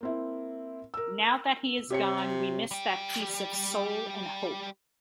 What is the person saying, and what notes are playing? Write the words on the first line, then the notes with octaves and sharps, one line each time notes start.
Now that he is gone we miss that piece of soul and hope.
A#3 C4 E4
A#4 E6
C3 G4 C#5 C#7
G3 G4